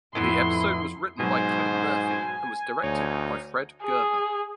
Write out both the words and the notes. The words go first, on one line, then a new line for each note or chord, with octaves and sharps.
The episode was written by Kevin Murphy and was directed by Fred Gerber.
F2 A2 E3 B3 E4 C6
G#2 B2 F#3 C5 G#5
D2 D#4 C#5
G#4